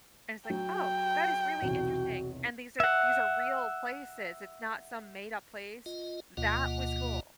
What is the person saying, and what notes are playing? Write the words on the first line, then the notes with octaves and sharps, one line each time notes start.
and it's like, "Oh, that is really interesting," and these are these are real places, it's not some made-up place. That was cool.
F#3 G5
B1 E2 C3 F#4
E5 F#5
F4 D#5
D2 B2 A#3 F4 D#5 F#5